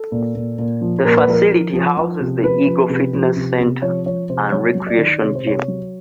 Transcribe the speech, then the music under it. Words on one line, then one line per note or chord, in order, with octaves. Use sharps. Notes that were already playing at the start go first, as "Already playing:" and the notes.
The facility houses the Eagle Fitness Center and Recreation Gym.
Already playing: A4
A#2
A#2
A#2
F3
A#2 A#4
B4
F3 A#4
F3
F3
F3
C3
F3 B4
F3
C3
F3
C3
C3
F3 C#5
F3 C#5
C3 C5
F#3 C#5
F#3
D5
D#3
C3 C#5
C5
C3 C#5
F#3